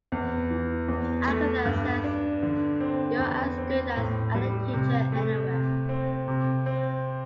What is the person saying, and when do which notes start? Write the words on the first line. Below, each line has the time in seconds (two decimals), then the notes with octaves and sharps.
Agatha says you’re as good as any teacher anywhere.
0.12 E2
0.50 E3
0.88 E2
1.28 A3
1.65 G2
2.04 D4
2.43 D3
2.80 C4
3.20 E2
3.58 C4
3.96 A2
4.35 G3
4.73 C3
5.12 A3
5.51 C3
5.89 C4
6.28 C3
6.66 C4